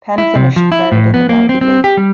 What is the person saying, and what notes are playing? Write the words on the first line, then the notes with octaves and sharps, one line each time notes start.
Penn finished third in the Ivy League.
E4
C3
F3
E4
A2
B3
A#3
C4
C4
G4
G3